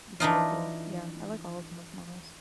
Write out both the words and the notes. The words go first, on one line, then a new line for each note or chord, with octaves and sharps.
valuable. Yeah, I like all of them, if I'm honest.
E3 D4 D#4 F4